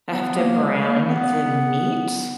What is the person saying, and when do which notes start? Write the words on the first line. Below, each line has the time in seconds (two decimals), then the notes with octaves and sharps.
I have to brown the meat
0.12 B3
0.36 A#3
0.60 G#3
0.85 A#3
1.03 A#3
1.09 B3